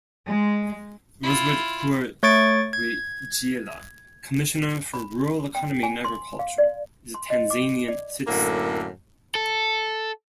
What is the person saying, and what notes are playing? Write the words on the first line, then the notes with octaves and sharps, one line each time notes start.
Rosebud Kurwijila, Commissioner for Rural Economy and Agriculture, is a Tanzanian citizen.
G#3
E4 F4
A3 C#5 C#6 A6 D7
G#6
B5
G5
G#5
C6
F5
D5
C6
D#5
D6
D5
F#2 A2 D3 A#3
A4